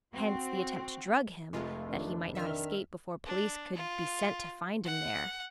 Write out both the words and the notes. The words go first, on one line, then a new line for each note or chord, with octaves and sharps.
Hence the attempt to drug him, that he might not escape before police could be sent to find him there.
C4 F#4
F1 C3 G#3 A3 F4
D#3 D4
D#3 D4 E5 F6
D4
F4
F#5